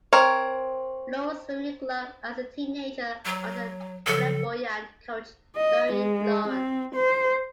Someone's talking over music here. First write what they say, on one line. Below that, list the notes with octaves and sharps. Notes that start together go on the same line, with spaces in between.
Lawrence Swimming Club as a teenager under flamboyant coach Laurie Lawrence.
C4 A#4 C#5
F#3
C#3 F3 F#3 A4
D#5
G#3
C4
C5